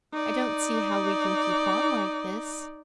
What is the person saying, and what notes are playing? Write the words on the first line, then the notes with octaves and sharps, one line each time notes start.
I don't see how we can keep on like this.
D#4 D5